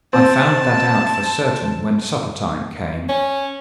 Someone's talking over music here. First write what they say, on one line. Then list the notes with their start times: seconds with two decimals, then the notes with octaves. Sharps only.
I found that out for certain when supper-time came.
0.13 C4 A5
3.09 C#4